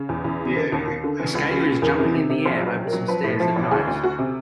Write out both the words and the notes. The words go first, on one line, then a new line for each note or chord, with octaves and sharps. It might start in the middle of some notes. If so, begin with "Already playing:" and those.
A skater is jumping in the air over some stairs at night.
Already playing: C#3
E2
E2
C#3
D3 A#4
D#2
D#2
D3
E3
C#2
C#3
C#3
E2 A#4
C3
C3
C3
A#1 C5
F#3 B4
A#1
A#4
F#3
F3 B4
A2
F3
A1
D2 G#4
D2
D2 F#4
C3